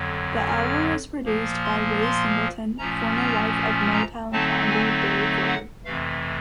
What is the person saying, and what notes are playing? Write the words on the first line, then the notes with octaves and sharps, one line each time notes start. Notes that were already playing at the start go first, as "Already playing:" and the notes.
The album was produced by Ray Singleton, former wife of Motown founder Berry Gordy.
Already playing: F2 D3 F#3
F6
A#2 F3 A#3
C6
C6
A#2 F3 A3 C#4 A#5
A#5
A#5
D3 F#3 A3 C4 D#4 A5
G#5
F#5
F2 C3 E3 A3 F5